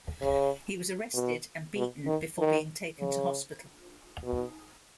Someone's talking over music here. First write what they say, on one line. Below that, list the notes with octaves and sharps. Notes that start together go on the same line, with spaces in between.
He was arrested and beaten before being taken to hospital.
C#3
B2
B2
D#3
D#3
C#3
B2